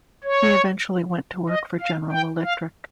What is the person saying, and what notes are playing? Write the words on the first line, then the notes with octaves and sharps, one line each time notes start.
He eventually went to work for General Electric.
C#5
D#5
F5
G5
F5